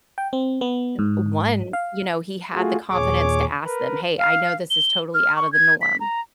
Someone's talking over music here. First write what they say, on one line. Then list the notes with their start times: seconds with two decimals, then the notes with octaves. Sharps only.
th one, you know, he had the confidence to ask them, "Hey, I know this is totally out of the norm
0.18 G5
0.33 C4
0.61 B3
0.99 G#2
1.73 F5
2.53 A3 F4 F#4 G#4
2.90 D#2 A#2 G#4 C#5 D6
3.64 A#4 B4
4.18 F5
4.70 G7
5.14 F6
5.36 C#6
5.53 G#6
5.82 B6
6.00 A#5